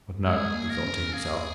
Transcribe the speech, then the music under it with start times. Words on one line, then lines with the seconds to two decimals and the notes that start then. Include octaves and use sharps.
'But no,' he thought to himself.
0.25 G#3 G#4
0.54 A#3
0.69 A#4
0.85 C#4
1.08 C#4
1.13 A#3 G#4
1.33 A#3